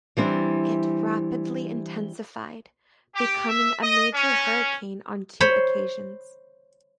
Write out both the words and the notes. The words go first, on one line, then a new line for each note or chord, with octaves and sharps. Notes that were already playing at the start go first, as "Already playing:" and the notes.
It rapidly intensified, becoming a major hurricane on two occasions.
E3 G3 C4 D4
G4
E5
D#5
C#4
C5 C#5 B5